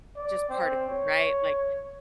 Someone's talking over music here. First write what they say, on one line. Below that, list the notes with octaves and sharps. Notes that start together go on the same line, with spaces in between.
just part of you, right, like,
D5
C4
C#5